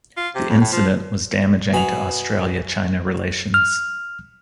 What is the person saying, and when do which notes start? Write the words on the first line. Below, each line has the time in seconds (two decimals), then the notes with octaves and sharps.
The incident was damaging to Australia–China relations.
0.17 F4
0.36 C3
0.50 F2
0.61 A2
0.73 F3
1.73 B2 G#5 B5 F7
3.54 F6